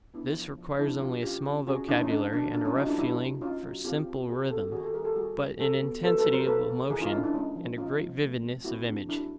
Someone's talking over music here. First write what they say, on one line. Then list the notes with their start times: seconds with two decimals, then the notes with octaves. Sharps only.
This requires only a small vocabulary and a rough feeling for simple rhythm, but an intensity of emotion and a great vividness of image.
0.14 B3 D4 E4
0.36 F3
0.58 F3
0.79 F3 D4 E4
1.01 A#3 F4 G4
1.23 C#4 F4 G4
1.46 C#4
1.67 C#4 F#4 G#4
1.88 E3 D4 E4
2.00 C#4 D#4
2.10 A#3 D4
2.32 F#3 D4
2.54 A#3 D4
2.65 C#4 D#4
2.75 F#3 D#4 F4
2.87 D4 E4
2.97 F#3 D4 E4
3.20 A#3
3.41 C#4 D#4 F4
3.63 F#3
3.85 C4 F4 G4
4.07 C4
4.28 F#3 F#4 G#4
4.50 C4 G4 A4
4.72 D#3 F#4 G#4
4.83 G4 A4
4.94 G3 G#4 A#4
5.05 G4 A4
5.15 G3 F#4 G#4
5.38 G3
5.59 F#3 G4 A4
5.81 B3
6.03 F#3 A4 B4
6.18 A4 B4
6.25 F#3
6.33 A#4 C5
6.47 A#3 A4 B4
6.68 A#3
6.90 E3 G#4 A#4
7.01 D#4 F4
7.12 C#4 D4 E4
7.23 D4 E4
7.34 G#3 C#4 D#4
7.56 F3
7.78 C#4 D#4 F4
8.00 F3
8.22 A3
8.43 C4
8.65 C4 E4 F#4
8.87 C4 D4
9.09 F#3 D4 E4